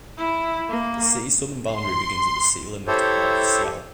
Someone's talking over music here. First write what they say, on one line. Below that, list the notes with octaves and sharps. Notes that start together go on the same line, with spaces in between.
The city's southern boundary begins at the city limit of Seattle.
E4
A#3
C6
E4 G4 A4 C5 C#5